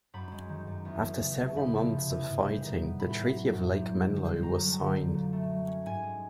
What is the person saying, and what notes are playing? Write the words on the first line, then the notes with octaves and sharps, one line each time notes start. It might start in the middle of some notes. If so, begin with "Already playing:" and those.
After several months of fighting, the Treaty of Lake Melno was signed.
F#2 B5
G#3
D#3
F#2
E2
E3
C#3
A3
E2 B5
F3
C3
E2
G#2
G3
D#3
B3
A2 B5
B3
F#3
A2
F#2
G3
D3
C4
F#2 A#5
F#3
D3
F#2
A#2
A3
F#3
C#4
G#2 G#5
G#3